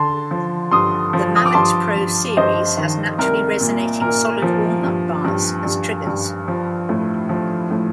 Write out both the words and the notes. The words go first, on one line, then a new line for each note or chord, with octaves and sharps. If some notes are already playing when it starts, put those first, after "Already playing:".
The Mallet Pro series has naturally resonating solid walnut bars as triggers.
Already playing: D3 A5 C6
F3
G2 C6 D#6
F3
D#6
D6
G2 A5 C6
G2
G2 C5 D#5
D#3
C2 A#4
A#2
A#2 A#4
F3
G2
G2
G2
G2
F3
A2
F3
A2